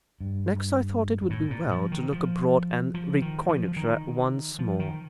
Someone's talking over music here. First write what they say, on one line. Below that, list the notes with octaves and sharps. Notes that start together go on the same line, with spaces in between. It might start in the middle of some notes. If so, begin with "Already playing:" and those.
Next I thought it would be well to look abroad and reconnoitre once more.
G2
G2
A2
A#2
F3
D#3
F3
F3
D#3
F3
F3
D#3
F3
D#3